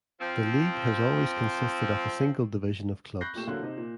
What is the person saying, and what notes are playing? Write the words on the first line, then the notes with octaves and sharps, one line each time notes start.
The league has always consisted of a single division of clubs.
F3 C4
B5 C#6 F#6 G6 A#6 C7
A#2 A3 G4 C#6 G6 E7
D3 F#3 A#3 E4 F5 F#6
C3 D#4 D#5
A#2